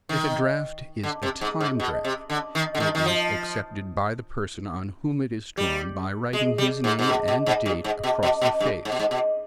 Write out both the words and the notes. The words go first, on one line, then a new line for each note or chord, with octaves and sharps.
If a draft is a time draft it is accepted by the person on whom it is drawn by writing his name and date across the face.
D#3
D3
C3
G#2
G#2
B2
C3
D3
D#3
D3
D#3
D#3
F3
G3
G#3
G3
G#2
G#2
B2
B2
G#2
G2
G#2
B2
B2
B2
G2
G#2
B2
G#2
B2